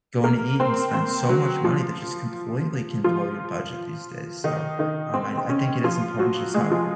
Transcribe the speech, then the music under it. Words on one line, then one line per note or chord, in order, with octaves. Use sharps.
going to eat and spend so much money that just completely can blow your budget these days, so, um, I I think it is important to just have
A#3 A#4
C4 C5
C4 C5
F#3 F#4
F3 F4
F3 F4
D#3 D#4
D#3 D#4
C4
C4
C#4
F3 F4
F#3 F#4
G#3 G#4
F3 F4